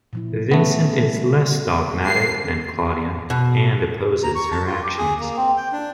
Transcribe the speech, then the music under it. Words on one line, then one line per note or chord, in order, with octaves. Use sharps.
Vincent is less dogmatic than Claudia and opposes her actions.
A#2 F3 E4
A3 B3 C#4
G3
G3 A#4 C7
B2
A#5
C#6
A5
F4
G4
G#4
A#3
C4
G5
D4